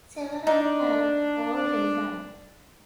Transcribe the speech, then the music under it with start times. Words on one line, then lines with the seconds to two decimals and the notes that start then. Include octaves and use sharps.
Several have already died.
0.47 D4 D#4